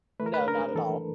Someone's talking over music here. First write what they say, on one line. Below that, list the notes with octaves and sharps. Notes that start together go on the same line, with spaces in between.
No, not at all.
A3 B4
A#4
B4
D4 A#4
E3 A4